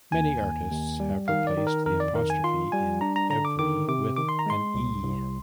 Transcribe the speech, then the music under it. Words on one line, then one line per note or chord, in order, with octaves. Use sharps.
Many artists have replaced the apostrophe in "ev'ry" with an "e".
D#2 G#5
D#2
D#2
G3
D#3 F5
D5
D#3
A#4
F2 A#4
D5
D#3 A#4
G#5
F4 C6
G3 G#5
D4 A#5
A#5
D3 A#5
D6
D#3 D6
C3 D6
D#3 D6
C6
A#5
G#3 C6
C2
C2